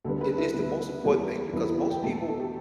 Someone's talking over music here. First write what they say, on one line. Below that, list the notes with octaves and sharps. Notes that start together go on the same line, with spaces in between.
It it's the most important thing, because most people
D2 D3 G3 B3 A4
B4
E4
D2 D3 G3 B3
E2 E3 G3 B3
E2 E3 G3 B3 E4
E4
E4
G5
E2 B2 A3 A5
A5
A4
G4